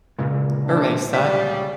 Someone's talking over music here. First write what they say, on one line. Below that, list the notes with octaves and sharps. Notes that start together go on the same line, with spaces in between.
Erase that.
D1 C#2 A#2 G#3
C3 D4
C#3 G3 B6